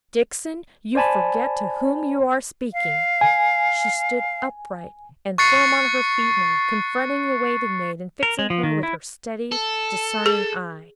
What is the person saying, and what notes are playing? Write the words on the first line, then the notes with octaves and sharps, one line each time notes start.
'Dixon! you forget to whom you are speaking.' She stood upright and firm on her feet now, confronting the waiting-maid, and fixing her with her steady discerning eye.
C5 D5 G#5 A5 B5
F5
G#5
C#6 F#6 A6 C7 C#7
A#4
G#3
F3
D#3
E4
A4
G#4